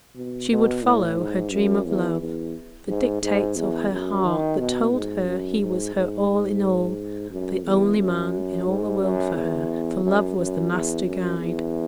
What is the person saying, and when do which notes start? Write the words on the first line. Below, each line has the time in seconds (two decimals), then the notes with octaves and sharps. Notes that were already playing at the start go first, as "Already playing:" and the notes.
She would follow, her dream of love, the dictates of her heart that told her he was her all in all, the only man in all the world for her for love was the master guide.
0.16 B2
0.50 B2
0.83 A2
1.18 G#2
1.52 F#2
1.86 E2
2.20 E2
2.88 G#2
3.22 G#2
3.56 E2
3.91 F#2
4.25 D#3
4.59 B2
4.93 G#2
5.26 F#2
5.61 G#2
5.95 G#2
6.29 G#2
7.31 F#2
7.65 E2
7.98 F#2
8.67 G#2
9.01 F#2
9.35 E2
10.03 F#2
10.36 F#2
10.71 E2
11.05 F#2
11.40 E2